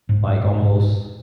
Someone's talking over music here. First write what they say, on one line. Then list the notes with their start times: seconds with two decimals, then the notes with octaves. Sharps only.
like, almost
0.09 G#2
0.27 G#2
0.45 G#2
0.62 G#2
0.80 G#2